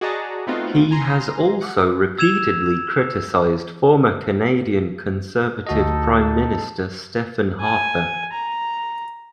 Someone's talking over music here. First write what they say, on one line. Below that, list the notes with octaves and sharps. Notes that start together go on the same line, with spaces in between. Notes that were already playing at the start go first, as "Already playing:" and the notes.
He has also repeatedly criticized former Canadian Conservative Prime Minister Stephen Harper.
F#4 G#4 D5 D#5 A5 A#5
A3 B3 C4 D#4 F4 F#4
G#5 A#5 C6
F#5
E6 G#6 E7 F7
D2 D#4 F#4 A4 D#5
G#5
A#5